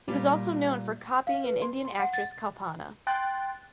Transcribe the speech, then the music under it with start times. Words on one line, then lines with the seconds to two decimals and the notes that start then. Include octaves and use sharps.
He was also known for copying an Indian actress Kalpana.
0.08 A#2 G3
1.27 F5
1.44 B4
1.62 C6
1.85 C6
1.99 F#5
2.13 A6
3.07 G5 C6 F#6 A6